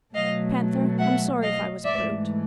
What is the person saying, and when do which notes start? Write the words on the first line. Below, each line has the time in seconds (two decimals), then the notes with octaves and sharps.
'Panther, I'm sorry if I was a brute.'
0.14 B2 F#3 A3 D#5 F5
0.99 E5 F#5
1.42 D#5 F5
1.84 G#2 E3 A3 D5 E5